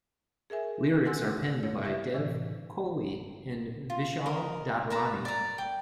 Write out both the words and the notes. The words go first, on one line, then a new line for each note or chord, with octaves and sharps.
Lyrics are penned by Dev Kohli and Vishal Dadlani.
G#4 A#4 E5 G#5
A4 F#5 G#5 C6 E6 F#6
G2 A3 E4 C#5
E4 G4 B4 E5
A2 C3 E3
F4
A#4 D#5
A#4 B4 A5 A#5
D5 A#5
G5